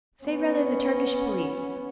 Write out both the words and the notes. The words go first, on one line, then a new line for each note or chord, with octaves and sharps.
'Say rather the Turkish police.
B3 C#4